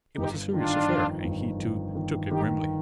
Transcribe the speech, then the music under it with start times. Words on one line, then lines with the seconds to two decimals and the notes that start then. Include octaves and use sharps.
It was a serious affair, and he, too, took it grimly.
0.17 G1 D#4 G4
0.53 D#3 D4 F4
0.88 F2
1.24 G1
1.59 D#3
1.95 D#3
2.31 D#3 D#4 G4